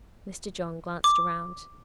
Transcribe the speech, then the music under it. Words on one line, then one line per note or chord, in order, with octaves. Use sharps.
Mr. John glanced round.
D6